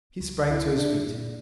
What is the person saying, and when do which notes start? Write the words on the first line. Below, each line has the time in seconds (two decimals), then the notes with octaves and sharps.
He sprang to his feet.
0.20 C#2
0.51 E4
0.77 D4
1.07 A#2